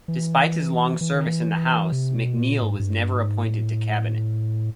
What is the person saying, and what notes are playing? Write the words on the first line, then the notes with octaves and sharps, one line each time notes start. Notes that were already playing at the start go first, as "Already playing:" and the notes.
Despite his long service in the house, McNeil was never appointed to cabinet.
E3
E3
D#3
E3
C3
B2
A#2
G#2
G#2
G2
G#2
A2